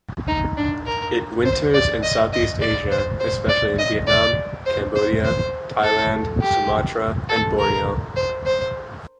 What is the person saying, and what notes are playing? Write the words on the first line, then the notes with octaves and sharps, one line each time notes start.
It winters in South East Asia, especially in Vietnam, Cambodia, Thailand, Sumatra and Borneo.
D#4
D4
A#4
C5
D5
D#5
D#5
D5
C5
C5
D5
D#5
D5
C5
C5
C5
A4
G4
A4
A#4
C5
C5